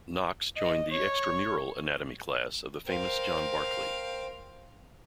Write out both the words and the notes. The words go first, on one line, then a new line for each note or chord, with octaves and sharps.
Knox joined the "extramural" Anatomy class of the famous John Barclay.
D#5
C#5
A#4 C5 F5 G5